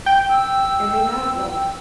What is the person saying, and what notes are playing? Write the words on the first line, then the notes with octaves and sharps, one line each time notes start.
and they have, like,
G5
E6